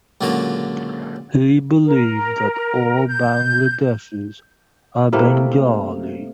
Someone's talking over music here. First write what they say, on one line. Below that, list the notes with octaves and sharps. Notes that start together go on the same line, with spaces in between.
He believed that all Bangladeshis are Bengali.
C#2 A#2 D3 F#3 A#3 A#5
A#4
G6
C3 A3 A#3 E4